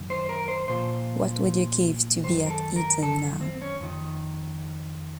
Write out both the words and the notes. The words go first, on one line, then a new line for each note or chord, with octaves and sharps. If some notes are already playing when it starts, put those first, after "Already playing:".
What would you give to be at Eton now?
Already playing: F#2 D#3
C5
A#4
C5
A#2 F3 C5
F#2 D#3 C5
A#4
A4
A#4
A4
C4
C#4
F2 D#3